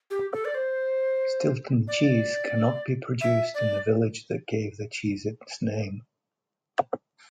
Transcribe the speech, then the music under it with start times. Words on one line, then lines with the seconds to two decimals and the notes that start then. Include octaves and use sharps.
Stilton cheese cannot be produced in the village that gave the cheese its name.
0.11 G4
0.33 A4
0.45 D5
0.55 C5
1.88 D5
3.21 E5
3.54 D5